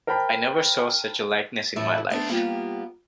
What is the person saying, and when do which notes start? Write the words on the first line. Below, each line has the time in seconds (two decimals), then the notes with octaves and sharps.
I never saw such a likeness in my life.
0.07 A#4 C5 G5 A5 B5
1.76 A2 E3 G3 A3 E4
2.10 A3 B3 D4 C5
2.29 G3 A#3 B3 F4 G4